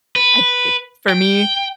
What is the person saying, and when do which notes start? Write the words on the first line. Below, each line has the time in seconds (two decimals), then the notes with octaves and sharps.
I'd d for me
0.16 B4
1.09 G5